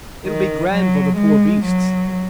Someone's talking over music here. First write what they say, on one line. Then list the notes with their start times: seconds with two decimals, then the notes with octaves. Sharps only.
It'll be grand for the poor beasts.
0.25 D#3
0.71 F#3
1.17 G#3
1.65 F#3